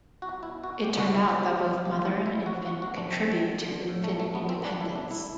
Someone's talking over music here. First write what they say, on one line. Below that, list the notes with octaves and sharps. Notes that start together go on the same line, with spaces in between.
It turned out that both mother and infant contribute to infant independence.
C2 F#4
B2 E4
B2 F#4
B2 G4
F#4
C2
E4
B2
G4
D2 G4
C3
C3 G4
E3 E4
E3 E4
D2 F#4
E2 F#4
F#4
D3
D4
E2 C4
D3
D3
D3
A2
A3
A1
A3
A1
B3
A1 C4
D4
A1
E4
A1
D4
C2 E4